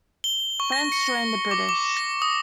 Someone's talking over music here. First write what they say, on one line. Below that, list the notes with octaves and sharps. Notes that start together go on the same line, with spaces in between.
France joined the British.
G7
C#6
A#6
C#7
D6
D6
A#6
D#6